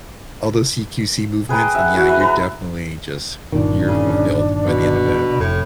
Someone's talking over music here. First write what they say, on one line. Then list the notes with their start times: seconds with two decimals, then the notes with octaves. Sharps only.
all those CQC movements, then yeah, you're definitely just you're fulfilled by the end of it.
1.49 G#4 B4 G5 A#5
1.75 E5 F#5
1.94 E3 F#4
2.07 B4 E5
2.20 B4 A5 A#5
3.52 G1 A#2 D#3 D4
3.87 C#3
4.67 B2
5.40 F1 A2